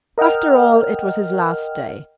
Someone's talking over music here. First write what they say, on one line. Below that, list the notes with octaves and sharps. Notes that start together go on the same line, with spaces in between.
After all it was his last day.
A#4 D#5 F#5 G5 F6